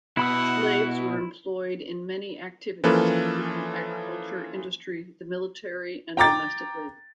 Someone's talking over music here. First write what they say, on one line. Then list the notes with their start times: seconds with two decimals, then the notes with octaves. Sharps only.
Slaves were employed in many activities, including agriculture, industry, the military, and domestic labor.
0.17 B2 E4 F#5 B5 E6
2.84 E3 F3 A#3 C#4 A4 B4
6.17 G5 A#5 D6 A6